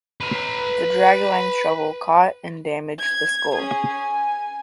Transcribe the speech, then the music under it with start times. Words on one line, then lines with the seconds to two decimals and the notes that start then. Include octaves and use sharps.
The drag line’s shovel caught and damaged the skull.
0.21 B4 A#5
2.98 G#6
3.55 C#4 G#4
3.92 G#5